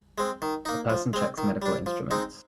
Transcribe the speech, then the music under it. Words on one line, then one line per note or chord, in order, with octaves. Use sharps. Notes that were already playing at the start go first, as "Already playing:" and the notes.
A person checks medical instruments.
G#3 C4
D#3
A#3 D#4
F3
G#3 C4
D#3
G3 D4
F3
G#3 C4 D#4